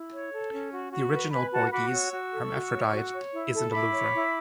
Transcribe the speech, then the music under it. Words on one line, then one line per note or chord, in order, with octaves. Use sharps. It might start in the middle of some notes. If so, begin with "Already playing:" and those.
The original Borghese Hermaphrodite is in the Louvre.
Already playing: E4
C#5
A4
C#4
F#4
F#4
B4
B4 G#5 B5
F#4 F#5 A5
F#4 B5 D6
C#5 C#6 E6
F#4
A4
F#4
C#5
F#4
C#5
E4
A4
E4 B5 D6
C#5
E4